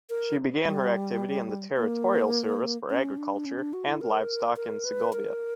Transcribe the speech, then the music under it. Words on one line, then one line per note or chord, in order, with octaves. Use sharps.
She began her activity in the territorial service for agriculture and livestock in Segovia.
A#4
G3
A#3
C#4
D4
C#4
D4
F#4
E4
A#4
A#4
B4
A#4